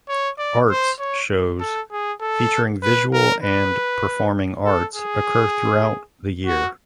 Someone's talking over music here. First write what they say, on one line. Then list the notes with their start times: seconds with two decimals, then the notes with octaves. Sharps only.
Arts shows featuring visual and performing arts occur throughout the year.
0.08 C#5
0.38 D5
0.70 C5
0.99 C#5
1.60 A4
1.91 G#4
2.21 A4
2.83 B4
3.13 A#4
3.43 B4
4.65 A4
4.95 G#4
6.47 F#4